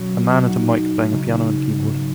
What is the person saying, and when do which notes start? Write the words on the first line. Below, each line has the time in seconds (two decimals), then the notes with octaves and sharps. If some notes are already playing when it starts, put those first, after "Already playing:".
A man at a mic playing a piano and keyboard.
Already playing: B2 F#3 B3 C#4 F#4
0.46 F#3 D#4 F#4
1.12 C#3 G#3 D#4
1.78 G#2 F#3 B3 F#4